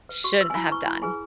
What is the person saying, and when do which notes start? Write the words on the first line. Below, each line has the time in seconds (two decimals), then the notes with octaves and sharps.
shouldn't have done?
0.09 B4
0.24 F#4 C#6
0.39 B4 E6
0.50 G#5
0.55 E4 B5
0.71 B4 C#6
0.86 E4 B5
1.02 G#4 B4 G#5